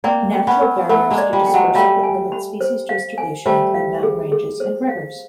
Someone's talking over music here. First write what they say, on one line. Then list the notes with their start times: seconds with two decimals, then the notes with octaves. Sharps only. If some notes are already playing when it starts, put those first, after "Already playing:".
Natural barriers to dispersal that limit species distribution include mountain ranges and rivers.
0.04 A#3 C4 D5
0.32 G5
0.47 B3 C#4
0.61 A#4
0.89 A3 B3 A#4
1.10 G#3 A#3
1.18 D5
1.33 F3 G3
1.46 G5
1.54 F#3 G#3
1.75 G3 A3 F5
2.03 G#5
2.32 B5
2.61 C5
2.89 F5
3.18 G#5
3.46 G3 A3 C5
3.74 F5
4.03 G#4
4.32 G#4
4.60 C5
4.88 F5